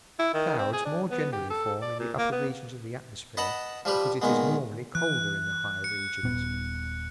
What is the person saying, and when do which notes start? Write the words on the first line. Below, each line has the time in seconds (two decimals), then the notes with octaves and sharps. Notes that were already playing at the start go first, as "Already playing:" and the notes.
Clouds more generally form in the upper regions of the atmosphere because it is normally colder in the higher regions.
0.19 E4
0.34 D#3
0.59 C4
0.73 G#4
0.85 D4
1.11 B3
1.33 G4
1.50 A4
1.82 D5
2.00 A#2
2.18 A#3
2.32 B3
3.37 B4 D#5 F#5 A5 B5
3.85 F3 G3 G4 B4
4.22 A#2 D#3 G#3 B3
4.95 E3 F#6
5.84 C#7
6.23 D#1 A#2 B3